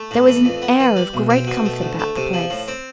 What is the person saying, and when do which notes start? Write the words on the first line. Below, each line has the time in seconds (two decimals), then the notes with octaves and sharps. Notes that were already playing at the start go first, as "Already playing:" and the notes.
There was an air of great comfort about the place.
Already playing: A3
0.11 A2
0.28 E3
0.45 F2
0.62 B3
0.80 E3
0.96 G3
1.14 B1
1.30 C4
1.47 B2
1.65 A3
1.81 D2
1.99 A3
2.17 C3
2.33 F3
2.50 A2
2.68 C4